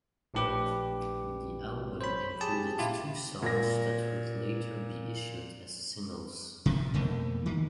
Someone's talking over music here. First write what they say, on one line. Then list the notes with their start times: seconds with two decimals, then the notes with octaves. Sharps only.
The album included two songs that would later be issued as singles.
0.34 A#1 A2 D4 G4 B4 D6
2.01 C5 C#5 B5
2.41 G4 G#4 A5
2.78 A#2 E4 F4 G4
3.42 A#2 A#6
6.66 C3 F3 A3
6.94 F2 B2 A3 A#3
7.46 D#3